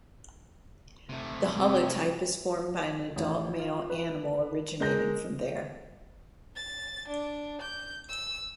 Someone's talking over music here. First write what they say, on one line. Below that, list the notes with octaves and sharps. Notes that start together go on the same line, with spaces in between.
The holotype is formed by an adult male animal originating from there.
C3 A3
C4
A1
F4
B4
G#3 A#4 G6 A#6
A6
D4
G6
E6